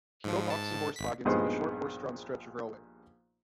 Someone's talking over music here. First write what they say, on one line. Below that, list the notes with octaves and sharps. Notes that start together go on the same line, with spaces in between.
He built ox and horse wagons and a short horse-drawn stretch of railway.
G#2 F3
G#2 A5
G#1 B6
A#1 G2 G#3 B3 D#4 C5